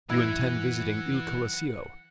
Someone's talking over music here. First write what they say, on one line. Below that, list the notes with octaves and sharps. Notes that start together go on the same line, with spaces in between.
"You intend visiting Il Colosseo."
F#2 E3 E4 F#5 G#6 A#6